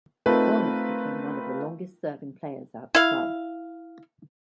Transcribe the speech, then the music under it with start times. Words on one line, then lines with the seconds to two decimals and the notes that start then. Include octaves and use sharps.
Wilnis became one of the longest-serving players at the club.
0.26 A3 C4 D#4 F4 A#4 B4
2.95 E4 F5